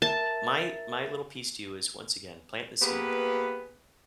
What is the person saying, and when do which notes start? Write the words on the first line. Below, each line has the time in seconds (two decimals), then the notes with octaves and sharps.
my my little piece to you is once again, planting the seed,
0.02 A#4 E5 A5 A6
2.82 A#3 B3 G4 G#4 B4